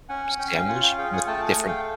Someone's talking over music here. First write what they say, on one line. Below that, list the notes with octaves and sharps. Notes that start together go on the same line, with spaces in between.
s sandwich with different
C#4 F#5 G#5
C#4 G5
G#5
F5 G5
F4 F#5 G#5
F5 G5
G#4 F5 G5
F#5 G#5
A3 G5 A5
F#5 G#5
A3
F5 G5